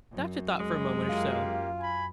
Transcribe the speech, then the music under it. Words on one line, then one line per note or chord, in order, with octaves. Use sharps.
The doctor thought for a moment or so.
F#2
G#3
A#3 F4 G4
G#5 B5